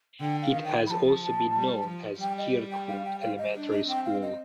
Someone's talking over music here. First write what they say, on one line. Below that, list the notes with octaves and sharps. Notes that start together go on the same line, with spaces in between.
It has also been known as Kirkwood Elementary School.
D3 G5
F5
D#3
G5
F3 A5 B5
G3
F3
G3 G5
D#5
G5
F5
G5
F5
D#5
D4
D#5
C4 G5
F5
D#5